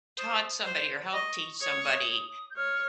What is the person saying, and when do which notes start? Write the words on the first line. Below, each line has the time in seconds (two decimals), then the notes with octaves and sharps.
taught somebody or helped teach somebody
0.18 C5 D#6
0.66 C5
1.13 D#5 C#6
1.61 C#5 D#6
2.50 G6
2.56 C#5 F6